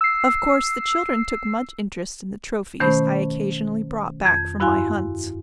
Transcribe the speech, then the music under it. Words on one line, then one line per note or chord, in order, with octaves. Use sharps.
Of course the children took much interest in the trophies I occasionally brought back from my hunts.
E6 C7
B2 D#3 A3 C#4 C5 B5
F2 G6
G2 E4 F#4 F5 G#5 C6